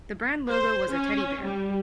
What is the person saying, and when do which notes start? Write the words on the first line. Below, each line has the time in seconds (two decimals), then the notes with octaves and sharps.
The brand logo was a teddy bear.
0.49 C5
0.92 C#4
1.42 G3